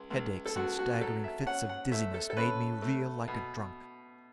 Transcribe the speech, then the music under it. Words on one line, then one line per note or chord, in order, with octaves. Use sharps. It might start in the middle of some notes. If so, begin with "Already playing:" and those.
Headaches and staggering fits of dizziness made me reel like a drunk.
Already playing: C#2
C#2
A4
C#2 F#4
F#4
F#3 A4
E5
C#4 F#5
F#5
A3 E5
A4
A4
C#4 B4
A3
B2